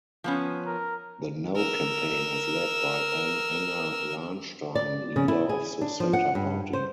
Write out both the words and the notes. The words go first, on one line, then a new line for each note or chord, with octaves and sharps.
The "No" campaign was led by Anne Enger Lahnstein, leader of the Centre Party.
F3 B3 C#4
A#4
A#4 E6
D5
C#3
E4
G#4
D4
F3
F#5
G2
C5